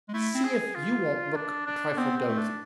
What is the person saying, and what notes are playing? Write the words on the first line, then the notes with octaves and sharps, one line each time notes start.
See if you won't look a trifle dozy.
G#3
A3 E4
C4
G#4
F4
D4
D4
B3 C4
C4
A3
D4